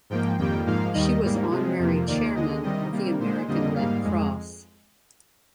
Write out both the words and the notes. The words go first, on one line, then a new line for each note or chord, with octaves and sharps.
She was Honorary Chairman of the American Red Cross.
G#2 F3 A#3 G5
F2 D#3 G3 A#3 G5
G#2 F3 A#3 F5
D#2 D#3 G3 D#5
G#2 G3 A#3
C3 F3 G#3
F2 C3 F3 A#3
D#2 D#3 A#3 D5
D#2 D3 G#3 D#5
C3 D#3 G3 D#5
C3 G3 A#3
A#2 G#3 C5
F2 D3 G3 A#3 D#5
G#2 G3 A#3 F5
F2 G#3